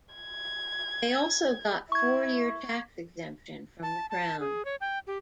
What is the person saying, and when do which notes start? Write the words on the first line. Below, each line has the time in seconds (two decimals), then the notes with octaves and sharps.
They also got four year tax exemption from the crown.
0.15 G#6
1.92 E4 C#6 G#6
3.83 A5
4.10 A5
4.40 G#4
4.65 C#5
4.81 G5
5.07 G4